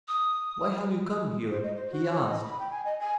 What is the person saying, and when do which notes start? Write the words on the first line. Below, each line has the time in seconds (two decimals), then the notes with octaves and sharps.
"Why have you come here?" he asked.
0.08 D#6
1.51 C5
1.63 D#5
1.76 C5
1.92 F#4
2.09 C#5
2.28 D#5
2.42 B5
2.60 G5
2.71 G#5
2.85 D#5
3.00 G#5